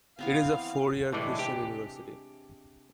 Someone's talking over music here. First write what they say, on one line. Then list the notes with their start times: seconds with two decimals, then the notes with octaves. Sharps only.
It is a four-year Christian university.
0.19 E3 B3 C4 F5
1.12 A2 C3 E3 G#3 D4
1.39 G4